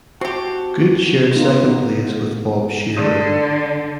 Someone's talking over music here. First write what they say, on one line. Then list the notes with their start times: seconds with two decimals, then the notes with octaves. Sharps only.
Good shared second place with Bob Shearer.
0.21 C4 F#4 G4 A5
1.36 B3 D#4 F4
2.96 D3